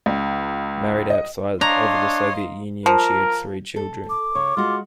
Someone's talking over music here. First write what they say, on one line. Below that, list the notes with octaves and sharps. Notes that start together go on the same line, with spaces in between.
Married outside of the Soviet Union, she had three children.
C#2
D#5
D4 C#5 D#5 F5 A#5 C6
F3 A#4
A4
D6
C#3 C#5
G#3 F4 F#4